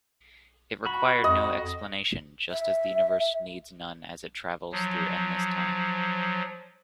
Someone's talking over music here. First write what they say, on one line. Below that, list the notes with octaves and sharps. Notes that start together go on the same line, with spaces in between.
It required no explanation, just as the universe needs none as it travels through endless time.
F#4 B5
F2 D#5
E5
F3 F#3